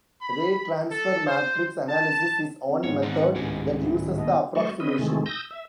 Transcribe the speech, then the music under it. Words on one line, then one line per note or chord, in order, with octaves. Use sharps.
Ray transfer matrix analysis is one method that uses the approximation.
B5
A4
C5
A5
C4
G#2 B3 C#5
D#3 C4 D5 F#5 A#5
C#2 A2 D#3 G#3 C#4 G4
E4 F#4
B2 A#3 D#5
F#3 A3 C5 D5 D#5 C#6
C4 C#4 B4 D#5
C3 D#3 E3 G#3 A3
D#6 E6 G6 A#6
E5